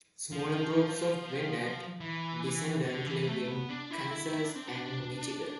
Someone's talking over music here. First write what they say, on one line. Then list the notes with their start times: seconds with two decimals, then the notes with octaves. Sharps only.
Smaller groups of Wendat descendants live in Kansas and Michigan.
0.32 F3
2.00 E3
2.85 D3
3.06 E3
3.27 A3
3.48 B3
3.69 D4
3.91 E4
4.12 E4
4.33 E4
4.44 D4
4.56 C4
4.67 D4